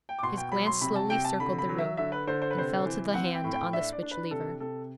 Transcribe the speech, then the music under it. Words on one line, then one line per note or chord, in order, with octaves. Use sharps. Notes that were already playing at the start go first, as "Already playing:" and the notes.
His glance slowly circled the room, and fell to the hand on the switch-lever.
G5
D6
B2 C6
G5
F#3 B5
C6
C3 B5
A5
C3 G5
A5
D3 B5
B5
F#3
E5
D3 E5
B4
D3 C5
C5
B4
C3 C5
E3
C4 F#5
G5
A2
G5
D4 E5
D5
D4
B4
C3 A4
C3 A4